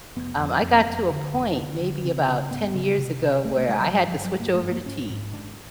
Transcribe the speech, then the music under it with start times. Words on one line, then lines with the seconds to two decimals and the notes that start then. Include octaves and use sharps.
um, I got to a point, maybe about ten years ago, where I had to switch over to tea.
0.16 F1 B3
0.40 F2
0.63 F2 C4
0.87 F2
1.10 D3
1.33 F1
1.57 D3 D4
1.81 D3
2.04 C#3 C4
2.28 C#3
2.50 G#1 B3
2.74 C#3
2.98 C3
3.22 C3
3.45 C2 A3
3.57 A3
3.68 C3 G#3
3.81 G3
3.92 G1 F#3
4.08 F3
4.16 G1
4.24 F#3
4.39 G1 A#3
4.54 A3
4.63 G2
4.71 A#3
4.86 G#1 C#4
5.10 G#2
5.33 G#1 D4